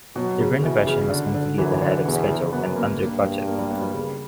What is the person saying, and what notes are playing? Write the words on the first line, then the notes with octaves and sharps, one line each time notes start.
The renovation was completed ahead of schedule and under budget.
B2 F#3
C#3
B2 E3
C#3
D3
D3
F#2 E3
D3
E2 B2
C#3
F#2 B3
A#3
G2 A#3
A#3
A#3
G3
B3
G3
C#3